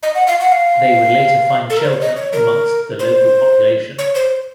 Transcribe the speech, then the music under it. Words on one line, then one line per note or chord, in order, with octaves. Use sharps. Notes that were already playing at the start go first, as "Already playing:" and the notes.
They would later find shelter amongst the local population.
D#5
F#5
F5
F#5
F5
A4
A#4
C5
C#5
D#5
C#5
A#4
C5
C#5
C5